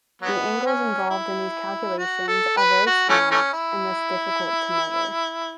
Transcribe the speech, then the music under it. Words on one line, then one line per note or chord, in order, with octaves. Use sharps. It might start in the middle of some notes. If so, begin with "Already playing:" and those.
The angles involved in these calculations are very small and thus difficult to measure.
F#3 B3
C#4
E4
F#4
A4
B4
F#4
E3 A3 C#4
E3 A3 C#4
E4